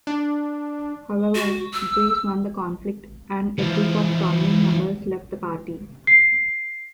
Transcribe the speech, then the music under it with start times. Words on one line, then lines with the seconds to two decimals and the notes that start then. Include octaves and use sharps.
However, Drees won the conflict, and a group of prominent members left the party.
0.07 D4
1.35 F#4
1.73 E6
3.58 E3 F3
6.07 C7